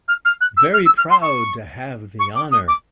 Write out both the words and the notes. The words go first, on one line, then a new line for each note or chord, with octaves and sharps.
Very proud to have the honour!
F6
F6
F#6
E6
F6
E6
F6
C6
C#6
C#6
D6
D#6
D6